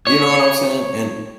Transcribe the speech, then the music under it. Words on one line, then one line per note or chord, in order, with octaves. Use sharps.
You know what I'm saying? And
C#5